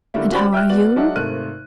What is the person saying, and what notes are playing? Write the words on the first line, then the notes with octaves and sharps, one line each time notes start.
And how are you?
D3 G3 A3 A#3 E4
C#4 F#4 G4 C5 D5 B5
E5 G5 F6 F#6
B3 F#4 D5 F#7
F#3 G#3 D4 D#5 E5 F#5
G#1 C3 A3 A#4 F#6 D#7